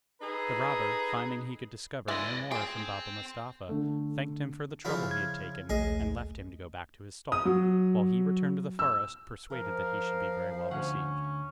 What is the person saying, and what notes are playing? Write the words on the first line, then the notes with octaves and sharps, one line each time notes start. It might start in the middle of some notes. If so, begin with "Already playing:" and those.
The robber, finding he could discover no more from Baba Mustapha, thanked him for the trouble he had taken, and left him to go back to his stall, while he returned to the forest, persuaded that he should be very well received.
D#4 G#4 A4 B4
E3 G#3 D5 D#5
G#4 G5 C6
D3 A3
C#3 F3 E4
G#6
A#1 D#2 A3 G#4 D#5
D#6
F#3
E6
F3 A#4
D2 C#4 F#5